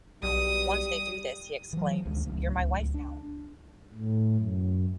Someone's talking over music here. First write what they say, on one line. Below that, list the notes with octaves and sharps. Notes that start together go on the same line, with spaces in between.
Once they do this he exclaims, You're my wife now!
B1 G3 D#6
E3 F#3
D2 D#3 G#3
D1 C#2 F#3 A3
D4
A2
F#2